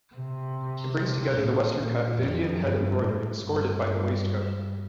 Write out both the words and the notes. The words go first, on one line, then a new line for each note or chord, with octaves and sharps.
It brings together the western cut with Indian hand-embroidery escorted by the Waist coat.
C3
A2
A#2
F2
G2
A2
G2
G2